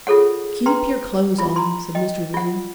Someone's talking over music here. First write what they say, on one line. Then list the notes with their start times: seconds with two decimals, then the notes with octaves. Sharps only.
"Keep your clothes on," said Mr. Bloom.
0.07 F4 G#4 A4 C#5 F#5
0.66 B4 G5 A#5 C6
1.38 F4 B5
1.56 A#5 C6
1.95 D#5 G5
2.34 F4 F#5